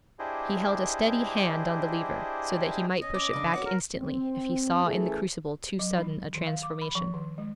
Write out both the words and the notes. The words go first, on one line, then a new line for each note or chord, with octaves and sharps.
He held a steady hand on the lever, so that he might push it back instantly if he saw in the crucible too sudden a transformation.
D4 E4 G4 G#4 C5 D#5
C#4 D#5
C#4 D6
C#3 D4
F#4 C#5 F#5
A#4
C4
E3 A3 C#4 G#4
F#3
D#4
D#3
F5
D6
B5
F3
D#3
G#3